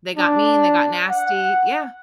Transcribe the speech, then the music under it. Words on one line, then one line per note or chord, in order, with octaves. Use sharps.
They got mean, they got nasty yeah.
D4
F#5